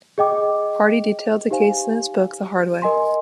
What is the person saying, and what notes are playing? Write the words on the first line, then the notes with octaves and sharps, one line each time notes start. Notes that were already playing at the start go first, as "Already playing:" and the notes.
Hardy detailed the case in his book "The Hard Way".
G#4 D#5 G5 D6
D#4 G4 C5 F5 G#5
A#4 D#5 G#5 C6